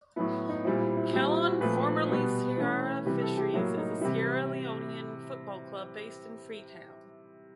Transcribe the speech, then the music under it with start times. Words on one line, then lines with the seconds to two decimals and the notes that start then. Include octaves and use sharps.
Kallon, formerly Sierra Fisheries, is a Sierra Leonean football club based in Freetown.
0.16 A2 F#3 B3 E4
0.49 D#4
0.65 A#2 G3 C4 E4
0.81 E4
0.97 E4
1.13 A#2 G3 C4 E4
1.29 F4
1.45 F#4
1.61 A#2 F3 A3 C4 B4
2.09 B2 G3 B3
2.57 E3 A3 C#4
3.06 C3 E3 G3 B4
3.21 A4
3.37 G4
3.54 A2 F#3 A#3 E4
3.77 D#4
4.01 C3 E3 G3 E4